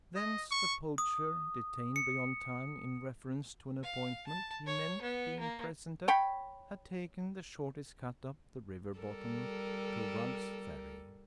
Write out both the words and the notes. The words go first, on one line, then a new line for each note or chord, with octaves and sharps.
Thence the poacher, detained beyond time in reference to an appointment he meant being present at, had taken the shortest cut up the river bottom to Rugg's Ferry.
D#5
C#6
D#6
C#7
F5
A5
C#5
B3
A#3
C#5 G5 B5
G3 A4 A#4